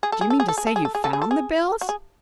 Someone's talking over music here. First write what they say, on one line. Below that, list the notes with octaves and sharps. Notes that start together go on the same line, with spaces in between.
"Do you mean to say you found the bills?"
G#4
A4
G#4
A4
G#4
A4
G#4
A4
G#4
A4
G#4
A4
G#4
A4
G#4
F#4
G#4